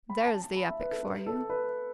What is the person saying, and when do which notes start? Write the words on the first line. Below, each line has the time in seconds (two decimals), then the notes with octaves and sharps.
There's the epoch for you.
0.10 B5
0.25 A5
0.41 A5
0.56 B5
0.68 E5
0.80 B4
0.91 A4
1.03 B4
1.26 A4
1.50 B4